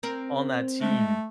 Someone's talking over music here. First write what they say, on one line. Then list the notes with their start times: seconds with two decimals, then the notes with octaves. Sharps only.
on that team
0.03 C4 A#4
0.81 G#3 A3